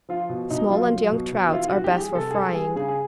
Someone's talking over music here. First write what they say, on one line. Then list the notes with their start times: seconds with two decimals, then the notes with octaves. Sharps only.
Small and young trouts are best for frying.
0.09 F3 F4
0.29 B2
0.50 B2 D#4
0.70 F#3 F4
0.92 F#3
1.11 B2
1.32 B2
1.48 E4
1.52 E3 F4
1.68 F#4
1.74 E3
1.84 G4
1.93 G3
2.00 G#4
2.14 C3 A4
2.31 G#4
2.34 G3 A4
2.55 G3 G#4
2.76 C#3 G#4
2.88 G#4